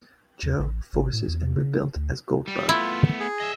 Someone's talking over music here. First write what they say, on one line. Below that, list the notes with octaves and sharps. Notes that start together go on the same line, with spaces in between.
Joe forces and rebuilt as Goldbug.
D#2
A1
G#1
A2
E2
C#3
D2
G3
A3 B3 E4 F4
G#4
D#5 E5